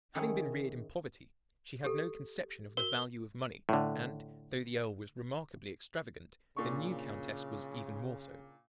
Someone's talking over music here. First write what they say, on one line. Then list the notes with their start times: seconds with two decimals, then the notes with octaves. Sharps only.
Having been reared in poverty, she had no conception of the value of money; and, though the earl was remarkably extravagant, the new countess was even more so.
0.15 D#3 C#4 E4 G#4 C#5
1.84 G4 A4
2.77 F#4 A#4 G7
3.69 A2 D3
6.57 A#2 C#3 D4 C#6